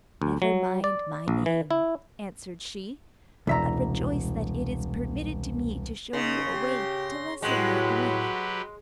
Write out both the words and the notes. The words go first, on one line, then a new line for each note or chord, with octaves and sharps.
'Never mind my name,' answered she, 'but rejoice that it is permitted to me to show you a way to lessen your grief.
D2
F#3
D5
A#1
E3
E4
E1 C2 E5 A#5
C#3 D#4 C6 A#6
G4
A2 F#3 G#3 F#4 G4 B4